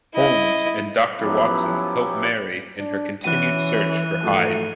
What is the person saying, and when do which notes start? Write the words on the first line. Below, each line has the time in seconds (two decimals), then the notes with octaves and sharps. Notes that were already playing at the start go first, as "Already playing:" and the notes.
Holmes and Doctor Watson help Mary in her continued search for Hyde.
0.14 E4 D#5
1.19 F3 F#3 B3 C#4 E4 G4
2.77 D4
3.24 E3 C#4 E4 F#4 F#5 F#6 D#7
4.23 G#2 F3 F#3 A3